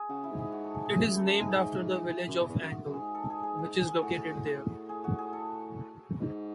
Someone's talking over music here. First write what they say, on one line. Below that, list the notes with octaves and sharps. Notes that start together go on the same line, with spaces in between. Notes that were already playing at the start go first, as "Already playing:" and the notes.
It is named after the village of Angle, which is located there.
Already playing: G#4
C#3 F#4
E4
G#2
G#4
F#4
A4
G#4
E2 G#4
F#2 G#4
A4
G#2 G#4
F#2
E2
E2
F#2
F#4
F#2
G#4
G#2
A4
G#4
G#4
G#4
G#4
A2 F#4
A2
G#4
F#4
G#4
A4
G#2